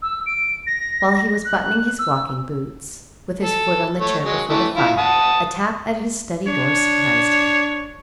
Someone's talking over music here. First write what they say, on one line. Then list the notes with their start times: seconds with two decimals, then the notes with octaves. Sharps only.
While he was buttoning his walking boots, with his foot on the chair before the fire, a tap at his study door surprised him.
0.02 E6
0.26 D7
0.66 A#6
1.45 F#6
1.98 E6
3.43 A4
4.00 A3 C#5
4.24 F#3 G#3
4.49 E3 A3
4.76 E4 F4
4.97 F#5 A5 D#6
6.47 D4 C#5